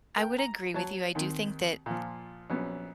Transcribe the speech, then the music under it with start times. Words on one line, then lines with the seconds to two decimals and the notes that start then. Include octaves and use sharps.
I would agree with you. I do think that th
0.17 A#4 G5
0.38 A#5
0.74 F#3 C#5 A5
1.15 D#2 D#3 C4
1.86 A#2 F3
2.50 A#1 F#3 B3 C#4